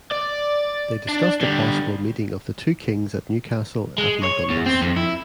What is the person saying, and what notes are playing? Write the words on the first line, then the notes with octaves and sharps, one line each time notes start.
They discussed a possible meeting of the two Kings at Newcastle at Michaelmas.
D5
D4
D3 G3
G#3
C#5
E2
C4
F2
E4